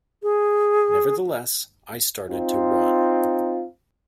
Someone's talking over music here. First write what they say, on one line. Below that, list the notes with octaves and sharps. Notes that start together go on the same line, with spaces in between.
Nevertheless I started to run.
G#4
C4 D#4 F4